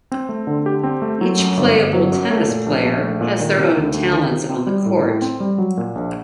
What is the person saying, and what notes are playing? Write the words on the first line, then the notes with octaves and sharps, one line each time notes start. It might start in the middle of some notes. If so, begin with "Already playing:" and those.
Each playable tennis player has their own talents on the court.
C4
A3
D3
G4
C4
A3
F#3
F#2
G1
G1
F#3
F#2
A3
A#2
A#1
A#1
A3
A#2
D#3
C3
D2
D2
D#3
C3
C4
G3
A2
A2
C4
G3
F#3
A#2
A#1